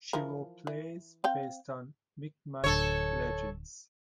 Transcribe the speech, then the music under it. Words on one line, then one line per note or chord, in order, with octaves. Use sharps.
She wrote plays based on Mi’kmaq legends.
E3 F3 A#4
E3
C4 F5 G5
D1 G1 D3 A4 C#5